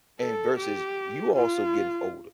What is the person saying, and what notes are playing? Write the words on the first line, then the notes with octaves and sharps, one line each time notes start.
and versus you also getting older
A4
G4
F4